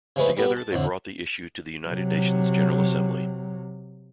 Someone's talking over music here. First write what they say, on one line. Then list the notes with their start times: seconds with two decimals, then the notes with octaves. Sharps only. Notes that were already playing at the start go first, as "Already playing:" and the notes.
Together, they brought the issue to the United Nations General Assembly.
0.16 C#3 F3 G#3 A3 B4
0.37 G3 B3
0.57 A5
0.73 F2 A2 D3
1.88 C3 F#3